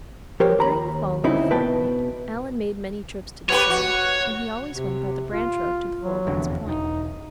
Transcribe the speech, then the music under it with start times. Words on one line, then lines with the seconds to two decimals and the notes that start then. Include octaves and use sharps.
During the following fortnight Alan made many trips to the shore--and he always went by the branch road to the Four Winds point.
0.40 F3 G4 A#4 C5 C#5
0.59 D#2 A#5 B5
1.24 D2 C#3 C4 D#4 E4
1.50 B2 B4 G5 A5
3.50 B3 G4 B4 C#5
3.70 F#4
4.75 C3
5.32 F4
6.00 F#3
6.27 F1 E2 D3
6.68 E1 D#4